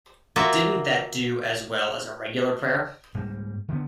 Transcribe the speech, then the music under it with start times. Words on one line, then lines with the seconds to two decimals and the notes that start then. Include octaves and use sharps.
Didn't that do as well as a regular prayer?
0.36 A#3 F4 F#4 E5
3.15 G#2 G3 A#3
3.69 D3 D#3 G#3 B3